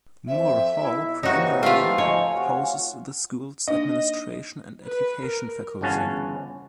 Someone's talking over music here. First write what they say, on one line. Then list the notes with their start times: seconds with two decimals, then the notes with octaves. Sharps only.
Moore Hall primarily houses the school's administration and education faculty.
0.28 F2 C4 E5
0.83 B1 E4
1.23 C3 E3 A#3 D#4 F#4 C#5
1.63 A3 F4 G4 F5
1.98 F3 D#4 C#5 G#5
2.33 C3 F#4
3.68 A#3 D4 D#4 D#5
4.86 B4
5.25 A#4
5.81 G1 E2 C#3 C#4 F#4 A5